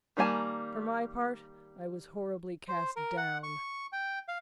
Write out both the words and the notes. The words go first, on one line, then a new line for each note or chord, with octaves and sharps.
For my part, I was horribly cast down.
D#3 G3 A#3 G#5 A5
C5
A#4
F#5
C#6
G5
F5